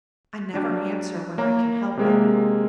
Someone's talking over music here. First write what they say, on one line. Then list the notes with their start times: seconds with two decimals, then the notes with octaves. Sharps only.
I never answer when I can help it.
0.54 F#3 D4
1.38 A#3 C#5 A#5
1.97 C3 G#3 A#3